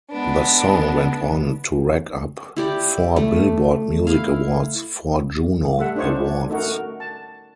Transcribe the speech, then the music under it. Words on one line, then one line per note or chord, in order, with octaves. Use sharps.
The song went on to rack up four "Billboard" Music Awards, four Juno Awards.
G#3 B3 D4
E4 G4 D5
A3
E4 F5
G3 A3 E5 F#5
D4 D#4 F4 C5 C#5 F#5
C#4 D4
A3 D#4 F#4 A#4
A5